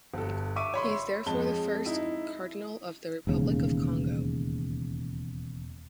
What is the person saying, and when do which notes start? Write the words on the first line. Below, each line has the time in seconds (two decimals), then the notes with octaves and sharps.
He is therefore the first cardinal of the Republic of Congo.
0.14 G1 A4
0.56 E5 C#6 D6 E6 D#7
0.74 C#5 B5 C6
1.26 F2 G#3 A5 G7
1.86 D#4 E4
3.27 E1 D#2 C#3